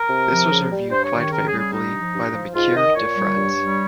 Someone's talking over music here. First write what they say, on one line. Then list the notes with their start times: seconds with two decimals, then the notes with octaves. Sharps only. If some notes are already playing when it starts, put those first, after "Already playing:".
This was reviewed quite favorably by the "Mercure de France".
Already playing: A#4
0.09 C3
0.30 F3
0.50 C#3
0.71 G3
0.90 G2 C5
1.04 C#5
1.12 D#3
1.19 C#5
1.32 C#3 A#4
1.46 G#4
1.52 G3
1.59 G#4
1.73 G2 D#4
1.93 F3
2.14 G2
2.34 F3
2.54 G#2 F4
2.75 D#3 D#5
2.95 A#2 C#5
3.15 G3
3.36 G2
3.57 G3